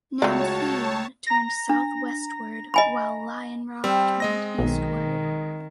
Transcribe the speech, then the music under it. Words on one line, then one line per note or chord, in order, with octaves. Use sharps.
Namtheun turned southwestward while Lionrock turned eastward.
C#2 A3 F#4 C#5 D5 A5
A#5 A#6
D4
D#5 G#5 B5
G3 C4
G#3 D#5 A#6
B1 D#3